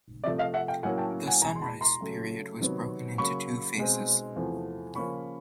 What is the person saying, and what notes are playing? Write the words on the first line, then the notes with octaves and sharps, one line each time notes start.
The Sunrise Period was broken into two phases.
C3 F3 A3 D5 E5
D#5 F5
E5 F#5
F5 G5
A2 F#3 A#3 C#4 F#5 G#5
G5 A5
F#5 G#5
E2 B2 G#3 G#5 A#5
C6
A5 B5
A#5 C6
C#3 F#3 A3
C3 D#3 F#3 B3
C#3 F#3 A#3 B5 C#6
B2 G#3 C4
E2 C3 F3 A3
C#3 F3 A#3 C#4 B5 C#6